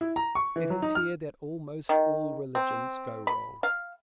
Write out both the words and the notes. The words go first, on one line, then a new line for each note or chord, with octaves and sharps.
It is here that almost all religions go wrong.
E4
A#5
C#6
E3
F#3
D#4
F6
D#3
C4
B5
F5